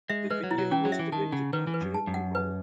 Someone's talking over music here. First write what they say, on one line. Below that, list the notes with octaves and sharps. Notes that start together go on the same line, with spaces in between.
The video was directed by Jeremy Rall.
G#3 E5
G#3 B4
F#3
E4
F#3
E3 C#4
F#3
E5
E3
D#3 A5
C#3 F#5
D#3 B4
E3
B4
F#2
A5
F#2
F#5
B4